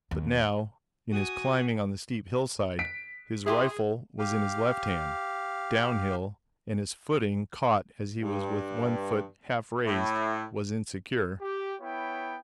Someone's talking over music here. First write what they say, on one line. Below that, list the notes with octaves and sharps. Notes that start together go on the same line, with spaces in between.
But now, in his climbing on the steep hillside, his rifle was in his left hand, downhill, and his footing, caught as he was with one foot half raised, was insecure.
D#2
F#4 G#5 D#6
B6 D7
E4 G4 G#4 C6
G4 F5
G2
A2
G4
B3 E4 C#5 G5